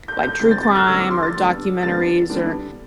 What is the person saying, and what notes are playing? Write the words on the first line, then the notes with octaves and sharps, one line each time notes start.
like, true crime or documentaries or
G6
G6
D3 G3 C4 G6
A6
A6
F6
D3 G3 C4 E6
D6
C6
A6
D3 G3 B3 D4
D3 G3 B3 D4 A6
D3 G3 B3 D4